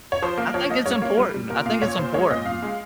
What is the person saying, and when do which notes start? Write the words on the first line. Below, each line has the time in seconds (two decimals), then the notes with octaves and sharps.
I think it's important, I think it's important.
0.12 C#5
0.22 F3 C5
0.37 A#3
0.54 F3 C#5
0.70 A#3 D#5
0.86 G3 C#5
1.02 A#3
1.18 G3
1.34 G3
1.50 A#2 A#4
1.66 A#2 F5
1.82 A#2 C#5
1.98 A#2 C5
2.14 G#3 C#5
2.30 A#2 D#5
2.46 A#2 F5
2.62 G#3